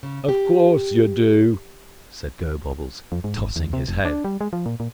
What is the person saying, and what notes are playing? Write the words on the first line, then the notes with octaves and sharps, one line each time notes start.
"Of course you do!" said Gobobbles, tossing his head.
C#3
G4
F2
G#2
G#1
E2
C3
F1
D4
G3
G#3
F3
A#2
A#2